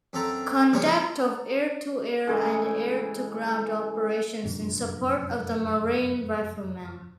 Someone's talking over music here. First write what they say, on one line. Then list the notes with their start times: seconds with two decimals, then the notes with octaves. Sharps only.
Conduct of Air-to-Air and Air-to-Ground operations in support of the Marine rifleman.
0.13 F#2 C4 A4 A#5
0.73 A#1 C#3 G3 A#4 C5 C#5
0.86 A5 A#5
2.27 A2 C#3 E3 G#3
4.44 F1 F#2 A#2 D3